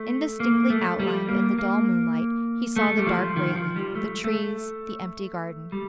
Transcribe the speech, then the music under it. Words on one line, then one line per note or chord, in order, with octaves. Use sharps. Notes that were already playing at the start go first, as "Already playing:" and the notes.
Indistinctly outlined in the dull moonlight he saw the dark railing, the trees, the empty garden.
Already playing: A3
A#3
A3
G3
A#3
A#3
A3
G3
F3
D#3
F3
G3
A3
A3
G3